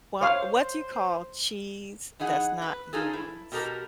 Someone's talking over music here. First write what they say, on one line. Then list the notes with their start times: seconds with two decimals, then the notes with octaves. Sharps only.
wha what do you call cheese that's not yours?
0.21 C5 C#5 F5
2.20 E3 D#4 G#4 F#5
2.62 B4
2.93 D#4 F4 G#4 A4
3.13 E4
3.52 B2 G4 A4 A#4